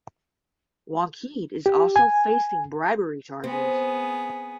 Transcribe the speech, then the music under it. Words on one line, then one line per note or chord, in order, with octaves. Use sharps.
Wankhede is also facing bribery charges.
G4
G#5
B3 C4 G#4